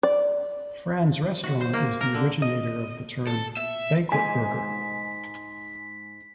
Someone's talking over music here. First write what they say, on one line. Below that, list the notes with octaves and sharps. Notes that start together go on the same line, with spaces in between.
Fran's Restaurant is the originator of the term "Banquet Burger".
D5
F#4
C5
A#3
A#4
D3
D#5
A4
E5
G#2 G#3 G#5 B6